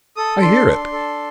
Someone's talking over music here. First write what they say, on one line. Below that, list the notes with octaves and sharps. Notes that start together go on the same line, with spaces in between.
I hear it.
A4 D#6
D4 C6
D4
A4